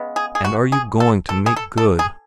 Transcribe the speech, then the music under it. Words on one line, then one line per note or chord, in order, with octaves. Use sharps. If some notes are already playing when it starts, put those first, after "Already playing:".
And are you going to make good?
Already playing: C#3 G#3 B3
G#4
G#4
F#4
G#4
A4
A4
G#4
A4
A4
G#4